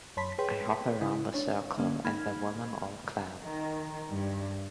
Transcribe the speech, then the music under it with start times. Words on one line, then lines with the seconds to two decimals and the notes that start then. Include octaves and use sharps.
I hop around the circle and the women all clap.
0.17 F#2 C#5 A5 B5 C6 B6
0.38 G#4 B4 C#5 G5 C6 B6
1.01 C#3 E4 D#6
1.34 D4 C#5
1.78 D3 A#3 C#4
2.05 A#3 D#4 B5 F6 G#6
3.43 D#3
4.10 G2